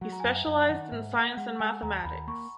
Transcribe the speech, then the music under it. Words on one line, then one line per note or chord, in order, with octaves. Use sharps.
He specialised in science and mathematics.
F#3 F#5
A#5
G#5
F#2 F#5
E5
F#2
D#3 F#5
G#2 E5
A#3 F#5
G#3 F#5
G#3 G#5
D#2 A#5
D#2 B5
A#3 C#6